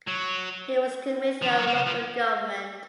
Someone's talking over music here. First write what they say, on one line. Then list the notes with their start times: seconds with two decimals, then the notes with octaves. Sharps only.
He was Commissioner of Local government.
0.07 F#3
1.42 F3
1.50 D#3
1.59 F#3
1.67 A#3
1.75 C#3
1.86 F3